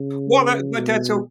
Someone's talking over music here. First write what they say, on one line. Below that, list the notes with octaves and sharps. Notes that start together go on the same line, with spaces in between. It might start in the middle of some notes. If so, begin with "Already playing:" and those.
Well, that but that's o
Already playing: C#3
B2